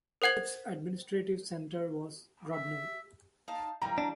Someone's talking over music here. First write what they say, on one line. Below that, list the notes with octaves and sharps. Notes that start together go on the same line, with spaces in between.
Its administrative centre was Grodno.
A#4 C5 F#5 G#6 F#7
E5
D#4 F5 A5
E3 F3 G3 A#5
D4